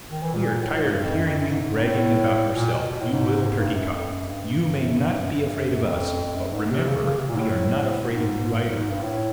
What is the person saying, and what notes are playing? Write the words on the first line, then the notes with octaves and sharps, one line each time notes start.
We are tired of hearing you bragging about yourself, you little turkey cock! You may not be afraid of us, but remember we are not afraid of you, either!
D#3
E3
A#2
A#2
A2
G#2
G2
F2
F#2
F2
F#2
G#2
G#2
G#2
A2
A#2
B2
B2
A2
G#2
G2
F#2
F2
F#2
G2
G2
G2
F#2
G2
G#2
F#2
F#2
G2
F#2
F#2
F2
F2
F#2
G#2
C3
C#3
C#3
C3
A#2
G#2
A2
G#2
G#2
G2
A2